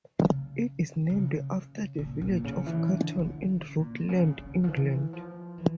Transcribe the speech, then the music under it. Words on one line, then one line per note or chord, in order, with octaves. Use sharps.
It is named after the village of Ketton in Rutland, England.
C#3
C#3
A#2
A#2
C#3
E3
D3
D3
C#3
A#2
C#3
D3
F3
E3
F3
E3